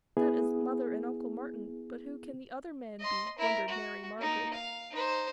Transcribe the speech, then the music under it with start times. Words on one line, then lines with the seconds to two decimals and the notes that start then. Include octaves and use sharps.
That is Mother and Uncle Martin, but who can the other man be? wondered Mary Margaret.
0.17 B3 E4 G#4
3.00 D#5 C6
3.39 E4 A#4
3.69 F#4
4.18 A#3 D#4
4.54 F5
4.91 D#4 C5